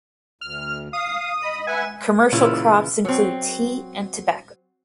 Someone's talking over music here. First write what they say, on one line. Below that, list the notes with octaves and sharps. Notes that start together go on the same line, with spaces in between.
Commercial crops include tea and tobacco.
D2 F6
F5 D#6
D#5 B5
B4 E5 F#5 G#5
A#2 C#3 E3 E4 F4
F#3 C4